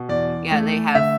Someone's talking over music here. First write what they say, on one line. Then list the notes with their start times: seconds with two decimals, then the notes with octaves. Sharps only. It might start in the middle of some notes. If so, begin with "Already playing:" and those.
yeah, they have
Already playing: B2
0.09 E2 D5
0.52 A3
0.95 D3 E5